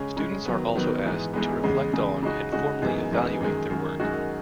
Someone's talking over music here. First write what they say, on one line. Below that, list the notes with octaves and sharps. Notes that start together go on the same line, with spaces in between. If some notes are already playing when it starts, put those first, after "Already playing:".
Students are also asked to reflect on and formally evaluate their work.
Already playing: C#3 G#3 C#4
C#3 G#3 C#4
D#3 F#3 B3
D#3 F#3 B3
G#2 E3 G#3 B3
G#2 E3 G#3 B3
E2 C#3 G#3
E2 C#3 G#3
C#3 G#3 D#4 F#4
C#3 G#3 D#4 F#4
F#2 E3 G#3 B3 D#4
F#2 E3 G#3 B3 D#4
F#2 D#3 G#3
F#2 D#3 G#3
F#2 D#3 G#3 D#4 F#4